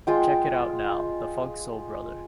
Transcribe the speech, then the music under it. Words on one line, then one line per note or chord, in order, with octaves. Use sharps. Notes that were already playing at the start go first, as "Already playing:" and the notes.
Check it out now, the funk soul brother.
G#3 F4 G5